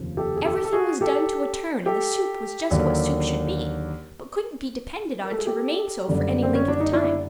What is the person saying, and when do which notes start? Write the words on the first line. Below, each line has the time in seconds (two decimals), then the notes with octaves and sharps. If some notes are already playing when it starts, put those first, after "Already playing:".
Everything was done to a turn and the soup was just what soup should be, but couldn't be depended on to remain so for any length of time.
Already playing: F1 D#2 C#3 F3
0.17 G4 A4
0.36 G#4
0.45 G4 A4
0.64 A4
0.73 F#4 G#4
1.01 G4 A4
1.86 G4 A4
2.71 D#2 D3 F#3 A#3
5.23 A#4
5.31 A4
5.38 G#4
5.45 G4 A4
6.08 F#1 F#2 D3 G3
6.42 C4
6.55 C#4
6.68 D4
6.80 D#4
6.92 D4 E4